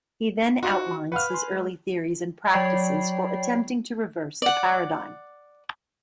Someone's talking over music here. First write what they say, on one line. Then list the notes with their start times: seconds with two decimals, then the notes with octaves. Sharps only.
He then outlines his early theories and practices for attempting to reverse the paradigm.
0.63 D#4 F4 F#4 C5
1.12 B4 F5 F#5 C#6 F6
1.30 G#5 C6
1.51 G#3
2.53 F#3 C#5 D5 G5 B5 C7
4.42 D5 F#5